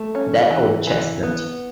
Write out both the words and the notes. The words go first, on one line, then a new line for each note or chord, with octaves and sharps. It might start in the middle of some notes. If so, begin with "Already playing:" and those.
That old chestnut.
Already playing: A3
C#4
E3
E3
B3